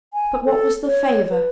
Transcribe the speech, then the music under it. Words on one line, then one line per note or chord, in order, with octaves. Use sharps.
But what was the favour?
G#5
A4
C#5
B4